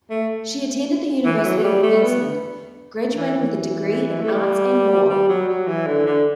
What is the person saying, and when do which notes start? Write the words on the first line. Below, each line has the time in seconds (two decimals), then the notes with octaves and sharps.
She attended the University of Queensland, graduating with a degree in arts and law.
0.10 A3
1.25 E3
1.38 E3
1.44 F#3
1.58 A3
1.63 G3
1.83 A3
2.03 B3
3.17 E3
3.36 E3
4.21 A3
4.32 G3
5.09 G3
5.29 F#3
5.48 F#3
5.67 E3
5.87 D3
6.05 D3